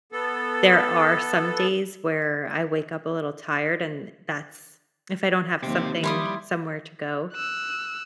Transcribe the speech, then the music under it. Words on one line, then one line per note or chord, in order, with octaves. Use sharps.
There are some days where I wake up a little tired, and that's if I don't have something somewhere to go.
B3 A4
D#2 F3 C4 G4
G3 E4 C6 D#6
E6 F#6